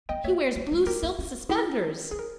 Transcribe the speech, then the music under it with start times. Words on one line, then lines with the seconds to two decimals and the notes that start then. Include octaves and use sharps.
"He wears blue silk suspenders."
0.09 B3 D#5 G5
0.24 A#3 C#5 E5
0.56 A#3
0.72 G#3
0.86 A#3 G4 A#4
1.03 A#3
1.19 C#4
1.49 C#4 E4 G#4
2.11 D#4 G#4
2.19 A#4